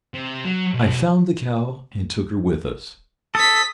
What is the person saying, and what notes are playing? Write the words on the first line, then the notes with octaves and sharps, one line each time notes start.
I found the cow, and took her with us.
C3
F#3
B1
A4 D#6 B6